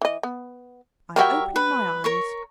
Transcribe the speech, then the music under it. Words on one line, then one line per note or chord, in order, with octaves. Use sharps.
I am opening my eyes.
E3 D#5
B3
G3 F#4 A#4 C#5 E5 G5
B4
A#4 C#5 C#6